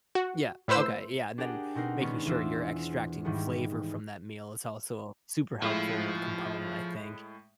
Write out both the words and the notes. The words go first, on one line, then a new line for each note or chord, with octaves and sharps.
Yeah, okay, yeah, and then, making sure you're extracting flavor from that meal is also super helpful component, I think,
F#4
A2 E4 B4 C5 E6
D4 G4 G#4 A#4 F#5 G5
B2 C4 D#4 A#4 F#5 C7
D#3 G#3 B3 C#4 D4
E2 E3 E4 F4 C5 E6
G#2 D#3 E3 G3 G#3 B3
A2 F3 G#3 E4